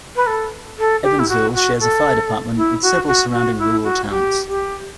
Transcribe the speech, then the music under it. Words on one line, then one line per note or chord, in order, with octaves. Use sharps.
Evansville shares a fire department with several surrounding rural towns.
B4
A4
A4
G4
E4
F#4
F#4
A4
E4
F#4
F#4
F#4
E4
F#4
G4
G4